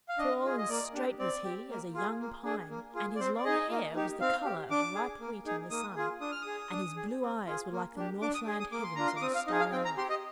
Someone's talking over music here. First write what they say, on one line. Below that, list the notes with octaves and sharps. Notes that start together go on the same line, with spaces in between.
Tall and straight was he as a young pine, and his long hair was the colour of ripe wheat in the sun; and his blue eyes were like the northland heavens on a starry night.
F5
D4 D#5
F4 G#4
D#5
A#3 D5
D4 G4
C4 D5
G4
A#3
F4 G#4
A#3
D4 G#4
A#3
F4 G#4
D5
C4 C5
D5
D#4 G#4 D#5
A#3
D#4 G4
C4 F5
G4
D4 D6
G#4
A#3
D#4 G#4
A#3 D#6
F4 G#4
D4 D#6
F6
G#4 D#6
D4
G#4
C4
F4 G#4
A#3
D4 G4
D4 D6
D#6
G#4
D#6
A#3 D6
C6
D4 F4 A#5
C6
D6
C4 D#6
F5
D#4 G#4 D#5
F5
C4 G5
A#5
G4 C6
D#5